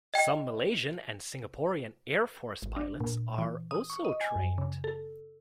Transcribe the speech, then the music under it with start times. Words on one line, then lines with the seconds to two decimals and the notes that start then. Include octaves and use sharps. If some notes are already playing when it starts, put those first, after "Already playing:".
Some Malaysian and Singaporean Air Force pilots are also trained.
0.14 D#5 G5
2.62 G#1
2.77 D4
3.00 A#2
3.38 E3
3.71 D#6
3.90 C#6
4.05 D#5
4.21 G#5
4.35 F#2
4.58 C#3
4.84 A4